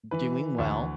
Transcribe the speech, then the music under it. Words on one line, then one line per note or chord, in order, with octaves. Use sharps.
doing well,
E3 B4
D2